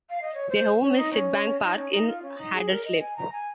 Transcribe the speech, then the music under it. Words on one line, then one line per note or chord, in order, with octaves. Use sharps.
Their home is Sydbank Park in Haderslev.
F5
D#5
C#5
C5
C#4
D#4
C#4
D#4
C#4
D#4
F4
C#4
D#4
G#4
A#4
D#5
G#5
A#5
G#5